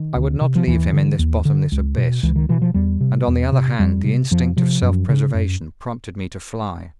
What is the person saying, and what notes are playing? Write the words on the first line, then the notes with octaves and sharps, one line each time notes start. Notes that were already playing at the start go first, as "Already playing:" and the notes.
I would not leave him in this bottomless abyss, and on the other hand the instinct of self-preservation prompted me to fly.
Already playing: D#3
D2
C3
F3
D#2 E3
D3
D#2
D3
C#2
B2
C#2 E3
D#3
B2 E3
F3
E2 G3
C3
E2
C3
F2 G3
C3
F2 F3
C3 F3
F#2
C#3
F#2